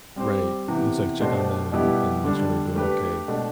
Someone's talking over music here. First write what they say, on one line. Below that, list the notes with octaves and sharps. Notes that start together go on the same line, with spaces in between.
Right. You can just like check on them and and make sure they're doing okay
G3 C4 G4 C5
C3 E3 B3
B2 A3 D4 G4 C5
B2 G3 B3 E4 G4
D3 G3 D4
A3 D4 G4 B4
B2 A3 D4